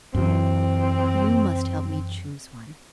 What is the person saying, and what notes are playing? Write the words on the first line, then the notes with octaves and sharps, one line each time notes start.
You must help me choose one.
F#2 E3 C4